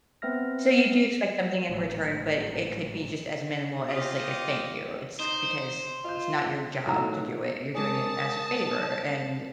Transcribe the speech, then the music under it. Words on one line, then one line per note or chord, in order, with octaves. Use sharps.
So, you do expect something in return, but it could be just as minimal as, like, a, "thank you," it's because it's not your job to do it, you're doing it as a favor, and,
B3 C4 B4 E5 F6 A#6
G#1 A2 F3 F#3
F4 G4 D#5
D#4 C5
F4 D#5 G6
A2 D#3 F#3 E4 F4 A4 A#5
G#3 D4 A#4 D5 G#5 A5 D#6